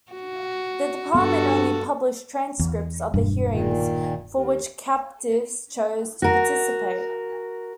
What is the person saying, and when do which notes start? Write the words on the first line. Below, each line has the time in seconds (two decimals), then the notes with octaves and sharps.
The Department only published transcripts of the hearings for which captives chose to participate.
0.12 F#4
1.15 G2 B3 F#4 A4
2.59 E2
3.14 E1 G2
3.50 A#2 D#3
4.31 D#2
6.22 F#4 A#4